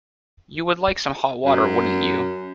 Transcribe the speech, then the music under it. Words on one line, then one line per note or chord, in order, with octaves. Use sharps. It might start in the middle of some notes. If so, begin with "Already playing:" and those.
You would like some hot water, wouldn't you?
F#2